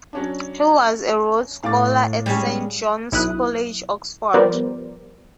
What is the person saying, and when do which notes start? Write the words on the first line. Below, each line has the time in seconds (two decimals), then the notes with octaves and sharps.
He was a Rhodes Scholar at Saint John's College, Oxford.
0.13 F#3 C#4 D4
1.63 A2 F5 D6 A6
2.26 G3 G#3 C#4
3.12 B1 E4 D#6 F#6
4.34 F3 G3 B3 A#4 C5 D5